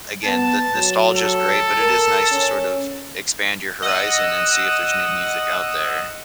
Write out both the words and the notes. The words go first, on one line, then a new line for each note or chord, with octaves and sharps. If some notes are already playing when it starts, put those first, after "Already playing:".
again, the nostalgia's great, but it is nice to, sort of, expand your horizon and see if there's new music out there.
B3 A5
F#3
A4
A#4
C#4
D#5 F#5 E6